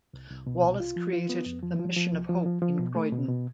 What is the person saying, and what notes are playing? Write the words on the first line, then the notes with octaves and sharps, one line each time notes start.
Wallis created the "Mission of Hope" in Croydon.
C2
C2
B2
C2
F4
F3
F4
B3
F2
F3
F3
F3
C2
F3
F3
F3
B2
A3
B2
B2